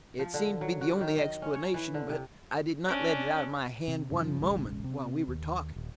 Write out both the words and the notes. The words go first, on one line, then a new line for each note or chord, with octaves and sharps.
It seems to be the only explanation, but I did not let it out of my hand one moment while we were talking.
F3
D3
F#3
F#4
D#3
D#5
C#4
C#5
E3
D3
C3
C#4 D4
C3
G2 C#3 E3 F3
E1 A1 C#3 G#3
C3
D#2
D#1